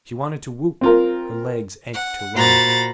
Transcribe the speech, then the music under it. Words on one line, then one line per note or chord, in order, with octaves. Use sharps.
She wanted to whoop, her legs ached to run.
C4 F4 A#4
F#5
A#2 F#4 C5 A#5 B5 A6